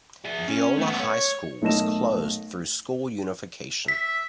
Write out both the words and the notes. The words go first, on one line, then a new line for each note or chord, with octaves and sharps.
Viola High School was closed through school unification.
G#4 E5
C#4
A3 B3
C#5
B1 A3 A#4 D#5 A#6 E7
E5 B6